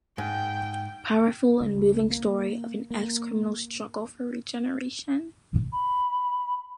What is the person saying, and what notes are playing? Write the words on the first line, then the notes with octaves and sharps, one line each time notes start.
Powerful and moving Story of an Ex-Criminal's struggle for regeneration.
G#2 G5
C#2
A#3
A#3
B5